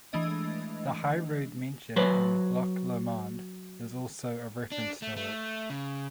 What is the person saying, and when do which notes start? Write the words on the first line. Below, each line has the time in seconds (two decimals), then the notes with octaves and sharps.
The High Road mentioned in "Loch Lomond" is also a reference to it.
0.13 E3 G#3 A3 D4 D#5
1.96 F#3 B4 C5
4.72 D4
5.02 A3
5.16 A3
5.70 C#3